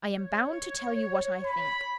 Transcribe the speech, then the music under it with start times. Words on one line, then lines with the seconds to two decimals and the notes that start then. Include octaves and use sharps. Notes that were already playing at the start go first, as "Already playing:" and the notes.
I am bound to tell you what I think.
0.15 C#5
1.45 B5